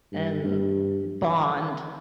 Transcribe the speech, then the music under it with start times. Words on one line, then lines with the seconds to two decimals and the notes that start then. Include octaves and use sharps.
and bond.
0.12 G2
0.44 G2